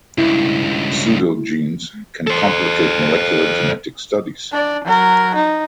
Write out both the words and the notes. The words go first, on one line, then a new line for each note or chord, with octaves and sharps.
Pseudogenes can complicate molecular genetic studies.
C#2 G2 E4
A4 C5
D4 D5
F#3 A#4
D#4